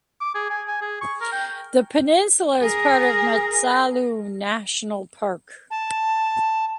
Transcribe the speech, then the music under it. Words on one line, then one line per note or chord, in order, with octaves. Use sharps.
The peninsula is part of Matsalu National Park.
D6
G#4
G#5
G#5
G#4
C#6
A#4
G5
G#4 A#4
A5